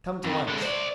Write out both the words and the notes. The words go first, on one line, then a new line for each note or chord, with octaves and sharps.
"Come to lunch."
F2
D3 G#3
C5 D5